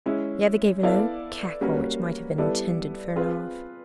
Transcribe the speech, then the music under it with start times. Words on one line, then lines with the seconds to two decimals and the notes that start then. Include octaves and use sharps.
The other gave a low cackle, which might have been intended for a laugh.
0.06 G#3 C#4 E4
0.83 B3 E4 A4 D5 F5
1.61 G3 A#3 C#4 F#4 B4
2.38 G3 B3 E4 A4 D5
3.16 C4 F4 G#4 B4